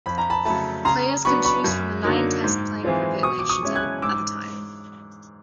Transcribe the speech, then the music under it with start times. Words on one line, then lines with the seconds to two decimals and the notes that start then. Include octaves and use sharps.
Players can choose from the nine Test playing cricket nations at the time.
0.06 F2 B5
0.18 A#5
0.30 A5 B5
0.45 C#3 F#3 A3 A5 B5
0.85 C#3 A#5 C6
1.25 F#3 B3 D4 B5 C#6
1.45 B5 C#6
1.64 F#2
2.04 D3 F#3 A#3 D#4
2.44 G#2
2.83 E3 G#3 C4 F4
3.23 B2 C#6 D#6
3.39 D6
3.49 C#6 D#6
3.62 G#3 C#4 E4
3.76 F#6 G#6
4.02 G#2 D6 E6